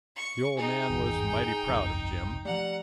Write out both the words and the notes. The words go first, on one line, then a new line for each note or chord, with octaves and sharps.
The old man was mighty proud of Jim.
C#6
D#4 G#4 G5
G#1 E2 G2
G1 C2 F2
F3 G3 A3 F#5 A#5